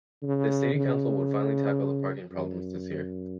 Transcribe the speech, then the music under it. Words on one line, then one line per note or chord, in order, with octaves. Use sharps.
The city council would finally tackle the parking problems this year.
C#3
C#3
F#2